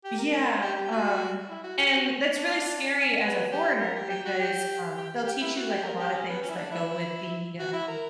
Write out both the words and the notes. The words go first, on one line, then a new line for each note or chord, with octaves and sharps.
Yeah, um, and that's really scary as a foreigner because, um, they'll teach you, like, a lotta things that go with the, um,
G4
A#4
G4
G4
F#4
E4
F#4
G4
F#4
D4
C#4
B3
G4
A#4
G4
G4
F#4
G4
G4
G4
E4
F#4
G4
A#4
G4
C#4
B3
C#4
E4
D4
E4
F#4
E4
A#4